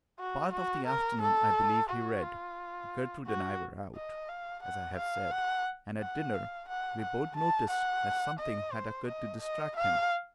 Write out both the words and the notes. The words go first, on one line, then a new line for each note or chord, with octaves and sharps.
Part of the afternoon I believe he read--Gertrude and I were out, as I have said, and at dinner we both noticed that something had occurred to distract him.
F#4
F#4
A#4
A4
F#4
F4
F#4
D#5
F5
F#5
F5
F#5
F#5
F5
F#5
F#5
A5
F#5
D#5
C5
D#5
D#5
F5